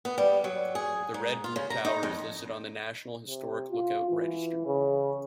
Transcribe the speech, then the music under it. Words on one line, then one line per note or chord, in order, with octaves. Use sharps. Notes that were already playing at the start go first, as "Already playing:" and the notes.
The Red Butte tower is listed on the National Historic Lookout Register.
B3
G3
F#3
G#4
G#2
F4
C#3
A#5
D#4
F2
C3
F4
E3
C#3